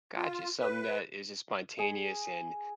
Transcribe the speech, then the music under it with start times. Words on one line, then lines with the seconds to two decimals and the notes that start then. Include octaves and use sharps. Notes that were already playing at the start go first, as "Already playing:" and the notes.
Gotcha, something that is as spontaneous and
0.16 F4
0.59 B4
1.79 G#4